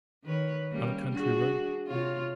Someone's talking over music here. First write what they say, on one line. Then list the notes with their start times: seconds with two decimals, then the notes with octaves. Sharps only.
On a country road?
0.24 D#3 B4 C#5
0.72 G3 A#3 C#4
1.10 D4 F#4 G#4
1.87 C3 F4 C#5